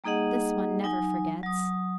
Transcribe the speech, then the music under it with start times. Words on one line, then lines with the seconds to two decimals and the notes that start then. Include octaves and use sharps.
"This one never forgets!"
0.04 G3 A#3 D#4 G#4 D#5 F#5
0.83 F#3 D#4 G#5
1.43 F#3 D#6